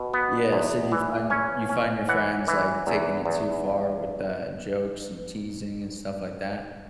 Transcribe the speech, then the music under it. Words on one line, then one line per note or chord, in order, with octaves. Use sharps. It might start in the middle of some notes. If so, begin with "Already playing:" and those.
Yeah, so do you find you find your friends, like, taking it too far with the jokes and teasing and stuff like that?
Already playing: B2
B3
E2
E3
C#4 C#5
C#4
E3 F#5
E3
E2
E2